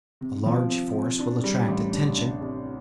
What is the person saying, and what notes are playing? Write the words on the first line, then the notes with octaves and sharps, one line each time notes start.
A large force will attract attention.
C3
F3
C4
C3
D4
G3
A1
D4
D4
C2